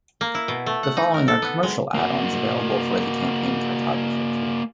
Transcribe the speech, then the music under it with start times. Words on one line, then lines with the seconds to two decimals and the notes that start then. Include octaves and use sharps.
The following are commercial add-ons available for the Campaign Cartographer tool.
0.21 A#3
0.35 E4
0.48 B2
0.66 A3
0.83 F#5
0.97 D#4
1.14 A#4
1.28 A4
1.42 B3
1.63 G#3
1.95 A#3 F#4